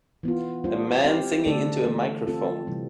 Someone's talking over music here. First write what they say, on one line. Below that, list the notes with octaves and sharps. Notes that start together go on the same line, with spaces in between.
A man singing into a microphone.
E3 B3 F4
G3 D4 F4 C5
C4 G4 C5 F5
D3 A3 D4 A4 D5
E3 A3 D4
C4 F4 A4
C3 E3 G3